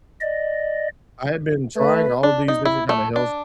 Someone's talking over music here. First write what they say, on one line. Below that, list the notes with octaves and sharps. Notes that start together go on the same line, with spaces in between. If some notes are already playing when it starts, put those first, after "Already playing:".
I had been trying all these different kind of health st
D5 D#5
A3 B4
D4
D#4
E4
A3
D4